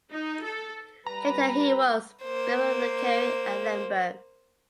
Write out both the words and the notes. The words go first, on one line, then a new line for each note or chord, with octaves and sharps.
Later he was bibliothecary at Lemberg.
D#4
A4
G3 B4 A#5
A#3 C5